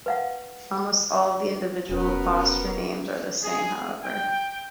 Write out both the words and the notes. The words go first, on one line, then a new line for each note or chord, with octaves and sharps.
Almost all of the individual posture names are the same, however.
B4 F5 F#5
E1 F#2 B3 A#4 B4
G#4
G5